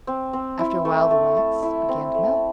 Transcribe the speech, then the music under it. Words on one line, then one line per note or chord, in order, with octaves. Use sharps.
After a while the wax began to melt.
C4
C4
E4
A3
A3
A3
E4
C4
A3